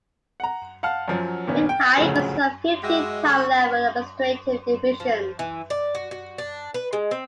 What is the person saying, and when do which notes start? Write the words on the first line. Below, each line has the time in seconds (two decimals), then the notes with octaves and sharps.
Binhai consists of fifteen town-level administrative divisions.
0.40 F#5 A#5
0.83 F5 F#5 A5 F6
1.08 F#2 F3 F#3
1.47 A#2 D#3 B3 C#4
1.69 G5
1.98 F#1 D2 A2 C#3 F3 F#3
2.83 G#3 F#4 D#5 E5 G5 B5 D6
3.24 D3 F#5 C#6 E6 F#6
5.00 F3
5.39 E3
5.70 D5
5.95 F#4
6.11 F#4
6.38 D4
6.74 B4
6.93 G#3
7.11 C4